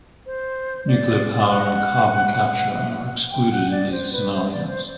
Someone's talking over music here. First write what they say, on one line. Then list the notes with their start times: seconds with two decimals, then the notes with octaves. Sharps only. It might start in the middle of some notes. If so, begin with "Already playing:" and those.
Nuclear power and carbon capture are excluded in these scenarios.
0.26 C5
0.88 D5
1.49 F#5
3.31 G5
3.51 F#5
3.71 D5
3.92 C5
4.12 B4
4.32 C5
4.52 D5
4.68 C5